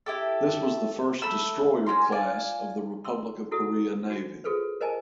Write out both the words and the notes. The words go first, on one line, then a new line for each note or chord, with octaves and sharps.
This was the first destroyer class of the Republic of Korea Navy.
E4 G4 A4
A3 B5 E6
C#4 G4 A#5 C6
F4 D5 G#5
C6 E6
E4 F#4 A4
F#4
F4 G#4 A4 B4 C5
A#4 C5 D#5 G#5 A5